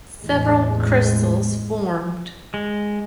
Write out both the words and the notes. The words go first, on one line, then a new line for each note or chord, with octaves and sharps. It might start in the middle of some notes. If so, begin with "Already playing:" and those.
Several crystals formed.
A1 E2 G#3
G#3